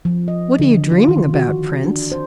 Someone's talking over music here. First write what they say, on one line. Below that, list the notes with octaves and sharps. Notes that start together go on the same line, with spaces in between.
'What are you dreaming about, Prince?'
F3
D#5
D3
F4
D#3
F#4
D4
C5